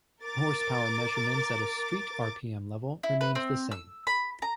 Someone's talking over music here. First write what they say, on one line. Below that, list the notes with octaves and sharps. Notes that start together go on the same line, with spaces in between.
Horsepower measurements at a "street" rpm level remained the same.
A#4 D6 A6
E4
B4
C4
E6
B5
A#5